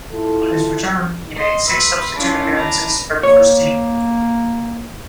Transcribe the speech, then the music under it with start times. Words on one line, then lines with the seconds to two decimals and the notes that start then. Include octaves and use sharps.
On his return, he made six substitute appearances for the first team.
0.13 E4 F4 A4
1.35 D#5 C6
1.67 B4 E5 C6
2.17 C#4 D4 E4 F4
2.54 D4 B4 A#5 A#6
3.23 A#3 C#5